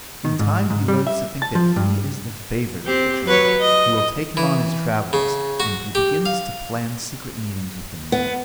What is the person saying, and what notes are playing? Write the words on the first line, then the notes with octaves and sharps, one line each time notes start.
In time he learns to think that he is the favorite of the tramp, who will take him on his travels, and he begins to plan secret meetings with the man.
D#3
G#2
G#2
G3
E5
A5
F3
G2
C4 G4
F#3 B4 C#5
D#5
E3
C#3
F#4
G4
F5
B3